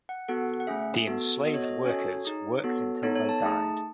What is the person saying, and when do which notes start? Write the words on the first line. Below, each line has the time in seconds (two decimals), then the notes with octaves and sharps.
The enslaved workers worked until they died!
0.09 F#5
0.28 B3 F#4 A4 F#5
0.60 F#5
0.67 A3 C#4 G#4 E5
1.07 B3 F#4 A4
1.46 B3 F#4 A4 D#5
1.54 C#5
1.63 D#5
1.85 C#4 F#4 A4 C#5
2.25 D#4 G#4
2.64 B3 F#4 A4
3.03 B3 D#4 A4 C#5
3.16 C#5
3.29 A5
3.42 A3 D#4 G#4 A5